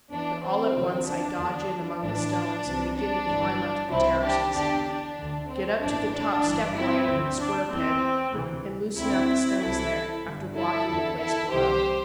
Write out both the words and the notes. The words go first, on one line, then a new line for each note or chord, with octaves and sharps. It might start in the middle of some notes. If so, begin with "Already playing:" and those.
But all at once I dodge in among the stones and begin to climb up to the terraces, get up to the top step-way in the square pit, and loosen out the stones there, after blocking the place below.
E2 E3 D4
C4
D2 C3 E3
D4
E2 D3
A1 A2 E3 D4
C2 C3 E3
D4
G1 G2 E3
C2 C3 E3 C4 E4
D4 G4
E2 D3 D4 G4
D4
D2 D3
C4
A1 G2 E3 D4
D4
G1 G2 E3
C4 E4
D2 D3 C4
D4
E2 E3 C4
D2 C3 E3
D2 D3 C4 E4
C2 C3 E3 E4 A4
G1 G2 D3
E4 A4
E2 D3
E4 A4
C2 C3 E3 G4 C5